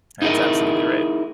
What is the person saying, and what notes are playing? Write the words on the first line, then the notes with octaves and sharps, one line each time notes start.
That's absolutely right.
D#4 E4 G#4 A#4 D#5